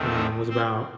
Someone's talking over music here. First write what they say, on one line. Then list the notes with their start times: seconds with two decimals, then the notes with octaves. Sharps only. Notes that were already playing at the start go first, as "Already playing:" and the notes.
um, was about,
Already playing: E2 D#3 A3 C4
0.11 D#4 D#5
0.49 C4 C5